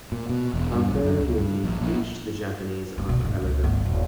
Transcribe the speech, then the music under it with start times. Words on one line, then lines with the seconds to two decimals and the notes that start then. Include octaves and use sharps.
"Panthera youngi" reached to the Japanese Archipelago.
0.12 A#2
0.29 B2
0.54 E1
0.73 G2
0.88 B1
1.03 F#2
1.18 C#2
1.38 G2
1.64 A#1
1.81 A#1
2.98 F#1 A#3
3.09 B2 D4
3.21 F2 G#2
3.41 C#2
3.64 G1 D#3
3.85 D#1